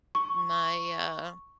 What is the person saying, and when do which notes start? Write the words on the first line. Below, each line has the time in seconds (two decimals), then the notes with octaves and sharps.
my, uh
0.15 C#6